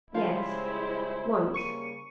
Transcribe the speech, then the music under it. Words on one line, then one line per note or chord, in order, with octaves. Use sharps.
"Yes, once."
C#3 F3 G3 G#3 E4 F4 C5
C#3 G3 A#3 C#6 C#7 D#7